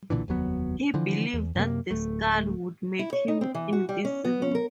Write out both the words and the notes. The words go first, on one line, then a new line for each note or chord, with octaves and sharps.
He believed that the skull would make him invisible.
B1 A#2 D3 E3
F1 D#2 F#3 B3
D3 E3 F3
E2
F#2 C3 A#3
D1 A3
E4
C#5
D#4
C4
E3
F#4
G3
C#4
B3
C#4
A#4